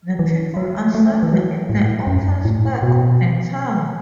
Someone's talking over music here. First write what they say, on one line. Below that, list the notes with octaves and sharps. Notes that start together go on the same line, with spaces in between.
The people assemble in the open square of the town.
E3
F#3
A3
E3
F#3
A2
F#2
A2
B2